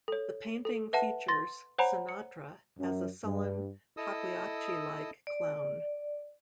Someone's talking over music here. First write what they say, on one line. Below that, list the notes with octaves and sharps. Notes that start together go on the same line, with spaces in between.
The painting features Sinatra as a sullen, Pagliacci-like clown.
A4 C#5
A4
B4 E5 F#5 A5
C6 A6 A#6
C5 C#5 F#5 G#5 A#5 B5
C#7
F#2
G2
E4 A4 D#5 D#6 E6
D5